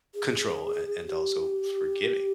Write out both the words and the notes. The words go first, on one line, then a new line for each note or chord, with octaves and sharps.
control an and also forgiving.
G#4
G4